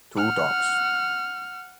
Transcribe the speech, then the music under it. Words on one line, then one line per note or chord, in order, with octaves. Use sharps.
Two dogs.
F#5 F6